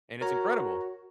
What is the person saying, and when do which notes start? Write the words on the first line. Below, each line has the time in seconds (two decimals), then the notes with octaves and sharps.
And it's incredible.
0.21 F#4 A#4 C#5 A#5